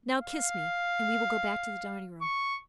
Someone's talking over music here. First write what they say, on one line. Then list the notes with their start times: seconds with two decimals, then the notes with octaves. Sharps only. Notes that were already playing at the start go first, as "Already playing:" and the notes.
"Now, kiss me, and we will go back to the dining-room."
0.21 F5
2.22 C#6